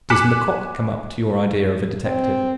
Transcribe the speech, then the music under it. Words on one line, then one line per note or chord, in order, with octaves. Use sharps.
"Does Lecoq come up to your idea of a detective?"
G#5 D6 F#6 B6 C#7 E7
C4